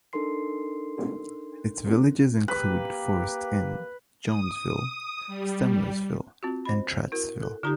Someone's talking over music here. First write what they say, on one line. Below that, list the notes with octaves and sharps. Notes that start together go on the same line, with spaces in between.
Its villages include Forest Inn, Jonesville, Stemlersville, and Trachsville.
D4 D#4 A4 A#4 C6 C7
A#3 G4 B4
D#6
G3
C4 F4 F#4
C5 D#5 B5
E4 F#4 A#4
A4
D3 D#4 F4 G4 D5 A#5